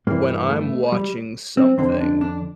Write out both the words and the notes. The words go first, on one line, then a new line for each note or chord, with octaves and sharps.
when I'm watching something,
G2 E3 A#3
A3
G3
C4
F2 D3 C4
D4
D4